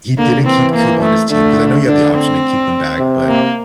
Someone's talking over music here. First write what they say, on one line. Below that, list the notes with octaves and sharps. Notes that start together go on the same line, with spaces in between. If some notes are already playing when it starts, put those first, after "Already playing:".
he didn't keep Coop on his team, 'cause I know you have the option to keep them back, but
D3 A#3
E3 C4
A#3
A3
D3 A3
D3 D4
C4
C3
A#3